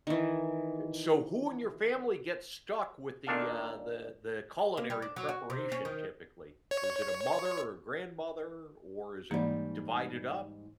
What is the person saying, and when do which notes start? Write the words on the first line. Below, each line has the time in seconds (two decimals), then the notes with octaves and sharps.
So, who in your family gets stuck with the, uh, the the culinary preparation typically? Is it a mother or a grandmother or is it divided up?
0.07 D#3 E3
3.27 A#2 D#3 D4 A4 F5
4.77 A#3
4.90 G3
5.02 D4
5.16 F#3
5.29 F#4
5.50 C3
5.72 C#4
5.85 D#3
6.71 C#5
9.31 G#2 E3 G3 A#3